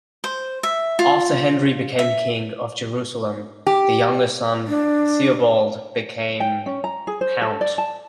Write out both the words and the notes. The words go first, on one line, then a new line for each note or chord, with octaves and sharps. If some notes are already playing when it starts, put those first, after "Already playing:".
After Henry became king of Jerusalem, the younger son Theobald became count.
C5
E5
F4
E5
G4
D4
G5
C#4
A#5
G#4
C5
A4
D5
A5